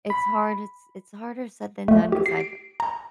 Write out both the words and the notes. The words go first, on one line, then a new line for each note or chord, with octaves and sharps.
it's hard it's it's harder said than done 'cause I've
B5
A3
G4
C7
D7
A#5